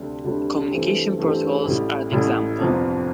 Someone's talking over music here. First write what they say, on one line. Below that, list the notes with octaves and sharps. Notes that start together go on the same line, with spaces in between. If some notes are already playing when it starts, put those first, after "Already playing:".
Communications protocols are an example.
Already playing: D2 C3 G3 D4 G4
D2 C3 G3 D4 G4
G2 E3 A3 C4 G4
G2 E3 A3 C4 G4
A1 A2 G3
A1 A2 G3
G1 F2 C3 F3